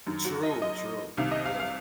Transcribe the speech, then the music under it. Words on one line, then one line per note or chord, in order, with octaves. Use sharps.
True, true. Yeah.
F#2 D#3
F#4
D#5
D#5
C2 C3 D#3 F5
D#5
F5
F5